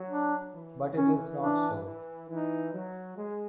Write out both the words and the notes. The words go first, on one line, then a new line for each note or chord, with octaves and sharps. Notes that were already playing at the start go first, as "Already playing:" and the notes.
But it is not so.
Already playing: F#3
D4
E3
E3 C#4
D4
E3
E3 D#4
F#3
G#3